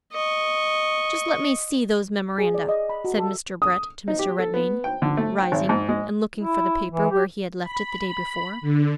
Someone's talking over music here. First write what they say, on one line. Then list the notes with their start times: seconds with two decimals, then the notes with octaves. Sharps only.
"Just let me see those memoranda," said Mr. Brett to Mr. Redmain, rising, and looking for the paper where he had left it the day before.
0.13 D#5 C#6
2.38 G#4
2.54 D5
2.69 D#5
2.89 B5
3.05 F#4
3.18 A4
3.62 D#6
4.08 D#4
4.19 G4
4.39 A4
4.54 B3
4.84 G5
5.02 D3
5.17 A3
5.38 G5
5.52 G#1
5.69 G#2
5.89 G#3
6.38 E4
6.91 E3
7.11 G4
7.62 B5
8.61 D3